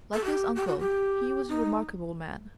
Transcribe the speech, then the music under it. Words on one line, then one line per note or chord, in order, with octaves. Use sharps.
Like his uncle, he was a remarkable man.
A4
G4
G4
F#4
G4
D#4